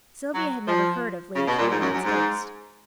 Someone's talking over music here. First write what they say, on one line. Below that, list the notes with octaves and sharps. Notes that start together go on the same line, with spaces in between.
Sylvia had never heard of Lady Caroline's ghost.
F#3
F3
C#3
B2
A#2
G#2
F#2
F#2
G#2